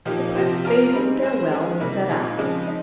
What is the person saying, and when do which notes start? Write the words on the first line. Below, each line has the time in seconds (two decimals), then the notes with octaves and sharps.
The prince bade him farewell and set out.
0.05 A#2 F3 A#3 D#4 G4
0.35 C3 F3 C4 G4 C5
0.64 C4 F4 A#4 C#5
0.93 G3 C4 D#4 G#4
1.22 G#3 C#4 G#4 C5
1.51 G#3 C#4 G#4
1.80 C3 G3 A#3 D#4
2.09 A#2 G#3 D#4 G#4
2.38 C#3 F3 G#3 C4 D#4
2.67 D#4